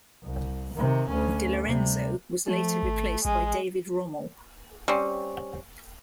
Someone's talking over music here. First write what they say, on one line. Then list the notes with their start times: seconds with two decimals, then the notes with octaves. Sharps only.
Delorenzo was later replaced by David Rommel.
0.23 C2
0.74 C3 D#3
1.09 D2 C#4
1.66 C3 G3
2.48 F3 A3
2.83 G#1
3.25 A1 G#3
4.88 G3 C4 C#4